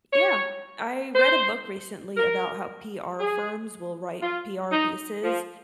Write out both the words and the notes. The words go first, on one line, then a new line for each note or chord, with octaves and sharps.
Yeah. I read a book recently about how PR firms will write PR pieces
C#5
C5
A#4
G#4
F4
D#4
F3